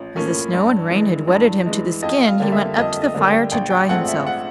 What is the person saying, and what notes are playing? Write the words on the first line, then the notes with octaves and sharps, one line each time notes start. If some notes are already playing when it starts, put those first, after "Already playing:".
As the snow and rain had wetted him to the skin, he went up to the fire to dry himself.
Already playing: A1 F3
A2 F3 A#3 C#4
G2
E3 G#3
G2
E3 G#3
F2 D#5
F5
D3 G3 A#3
E5
F2 D#5
D#5
D3 G3 A#3
G5
A#1 G5
G5
G#2 F3 A3 C4 F#5
E5
F#5